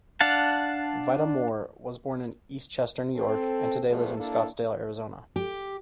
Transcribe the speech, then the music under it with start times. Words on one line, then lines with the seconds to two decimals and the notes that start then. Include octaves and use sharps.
Vita-More was born in Eastchester, New York, and today lives in Scottsdale, Arizona.
0.21 D4 F5 F#5 A5
3.16 C4 A4
3.88 C3 F3 A3 B3 G#4 D5
4.17 A#3 D4 E4 A4
5.36 G4